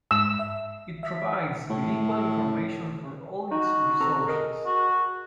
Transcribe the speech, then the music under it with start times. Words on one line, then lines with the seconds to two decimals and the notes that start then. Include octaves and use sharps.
It provides bilingual information for all its resources.
0.11 G#2 E6
0.39 E5
1.03 E5 B6
1.70 A2
3.51 D#4 F#4
4.00 C4 A4 A#5
4.27 G#4 A#4 D#5
4.66 F#4